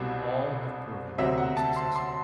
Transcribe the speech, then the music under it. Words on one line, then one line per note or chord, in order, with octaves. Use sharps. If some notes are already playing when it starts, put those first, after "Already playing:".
All have proven unsuccessful.
Already playing: C2 B2 G3 C4
D2 C3 F#3 C4 E5
F#5
A5
C6
C6